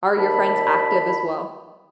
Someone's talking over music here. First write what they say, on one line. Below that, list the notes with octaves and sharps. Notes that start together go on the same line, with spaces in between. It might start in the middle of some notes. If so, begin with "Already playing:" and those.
Are your friends active as well?
D#2 D5 A5 B5